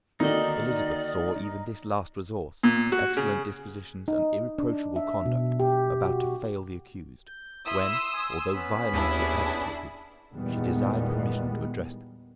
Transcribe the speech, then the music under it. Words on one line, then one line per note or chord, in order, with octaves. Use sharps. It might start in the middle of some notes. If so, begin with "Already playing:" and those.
Elizabeth saw even this last resource, her excellent dispositions and irreproachable conduct, about to fail the accused, when, although violently agitated, she desired permission to address the court.
D2 D3 D#3 A#3 D#4 D5
A#2
F#4
C#3
D#4
D4
E5
B2
G4
F#4
G6
E4 E5 B5 C6 D#6 E6
G#5
B3 C#4 B5
D#2 D4 E4 G#4
E2 A#2 D#3 G3 G#3 B3